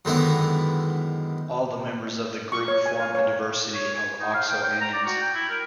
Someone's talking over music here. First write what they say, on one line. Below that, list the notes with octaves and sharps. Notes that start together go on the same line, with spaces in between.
All the members of the group form a diversity of oxoanions.
F#2 D3 D#3 G#3 B3 E4
C#6
C#5
G#5
F5
C#5
C#5
G#5
D#4
F5
G5
G5
A#5
D5
F#4
G5
E4
A#4